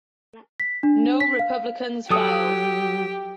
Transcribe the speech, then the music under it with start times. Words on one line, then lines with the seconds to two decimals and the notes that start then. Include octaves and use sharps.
No Republicans filed.
0.60 B6
0.83 D4
1.20 B6
1.39 F5
2.10 F#3 G4 A4 D#6